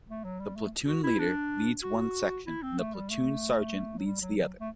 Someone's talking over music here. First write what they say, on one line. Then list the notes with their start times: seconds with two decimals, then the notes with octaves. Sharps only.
The platoon leader, leads one section and the platoon sergeant leads the other.
0.08 A3
0.24 F#3
0.40 G3
0.56 A3
0.88 F#4
1.03 E4
1.19 D4
1.83 F#4
2.47 E4
2.63 C4
2.79 A3
2.94 G3
3.10 A3
3.98 F#3
4.06 G3
4.21 F#3
4.38 F#3
4.60 A3